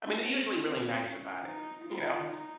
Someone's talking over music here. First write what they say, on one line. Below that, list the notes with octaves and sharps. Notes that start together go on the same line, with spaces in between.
I mean, they're usually really nice about it, you know.
C4
C4
C#4
D#4
F4
D#4